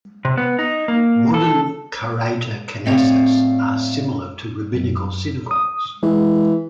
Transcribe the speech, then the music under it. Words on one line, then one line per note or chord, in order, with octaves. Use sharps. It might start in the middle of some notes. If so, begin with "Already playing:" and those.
Modern Karaite kenesas are similar to Rabbinical synagogues.
C3
B3
D#4
A#3
A4
A2 C4 C#5 D5 F5
F#2
D#6
E3 G#3